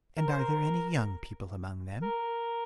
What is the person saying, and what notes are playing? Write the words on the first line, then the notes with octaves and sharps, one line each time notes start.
"And are there any young people among them?"
A#4
C5
A#4
A#4